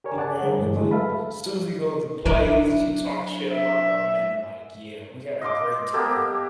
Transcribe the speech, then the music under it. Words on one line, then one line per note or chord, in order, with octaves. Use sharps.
He ran with it. Susie goes to plays and she talks shit about them and like, yeah, we had a great time.
G4 A#4 C#5 D5 G#5
D5 F#5 G#5 A5 D6
D3 G3 G#4 A#4
G2 E3 G#3 A3
D3 F#3 G#3 A3 E4
A4 B4 E5 F5 A5 B5
F#3 D4 E4 A#4
E5
D#5 F5 C6 D6
A#3 B3 G4 A4